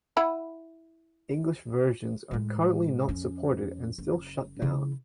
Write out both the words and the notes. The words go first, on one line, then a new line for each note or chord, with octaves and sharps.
English versions are currently not supported and still shut down.
E4 F#5 B5
A2 G#3
F2 C#4
F#1
C#3 E4